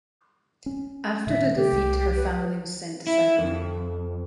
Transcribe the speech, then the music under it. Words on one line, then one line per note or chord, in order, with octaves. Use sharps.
After the defeat her family was sent to Siberia.
C#4
A#2 D#3 E5
C3 G4
C2
B4
E4
F2